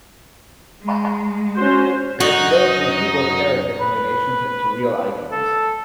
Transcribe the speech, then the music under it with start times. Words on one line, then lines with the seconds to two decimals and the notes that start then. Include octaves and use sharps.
They have developed from keyboard character combinations into real icons.
0.83 G#3
1.55 C#4 F#4 C5
2.20 F#2 D#4 F#4 D#5
3.80 B4
5.31 A4